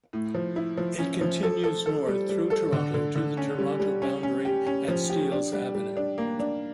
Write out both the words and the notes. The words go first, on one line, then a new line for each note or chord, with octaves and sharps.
It continues north through Toronto to the Toronto boundary at Steeles Avenue.
A2
F3
E4
F3
C#4
F3
A4
A4
A4
G3
G3
A4
D3
D3
D3
C#4
G3
G3
C#4
C#4
G4
C#4
F3
G4
D4
G3
G3
D4
A#3
D4